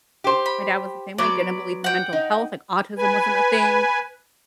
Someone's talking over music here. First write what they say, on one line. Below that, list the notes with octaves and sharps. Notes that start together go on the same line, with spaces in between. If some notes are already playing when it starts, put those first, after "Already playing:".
My dad was the same way, didn't believe in mental health, like, autism wasn't a thing.
G4 C5
B5
F#3 B3 D5
F#5 G5
D#4
B4 G#5